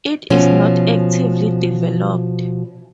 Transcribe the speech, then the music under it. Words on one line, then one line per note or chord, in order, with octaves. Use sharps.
It is not actively developed.
B2 F3 C#4